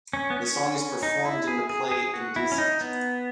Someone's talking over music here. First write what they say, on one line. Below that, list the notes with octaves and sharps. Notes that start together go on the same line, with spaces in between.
The song is performed in the play "Indecent".
C#4
B3
C#4
D#4
E4
G#4
G#4
G#4
F#4
E4
C#4
D#4
B3